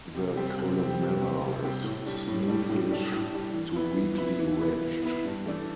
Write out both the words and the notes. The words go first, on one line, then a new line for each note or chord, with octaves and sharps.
The columella is smoothish to weakly ridged.
C3
G3 C4 G4
C3
G3 C4 G4
C3
G3 C4 G4
C3
G3 C4 G4
A2
G3 D4
A2
G3 D4
A2
G3 D4
A2
G3 D4
E3
B3 E4 B4
E3
B3 E4 B4
E3
B3 E4 B4
E3
B3 E4 B4
G2
E3 A3 D4 A4